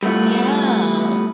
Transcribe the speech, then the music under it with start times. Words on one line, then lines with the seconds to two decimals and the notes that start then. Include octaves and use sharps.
N yeah.
0.03 G3 A3 B3 E4 F4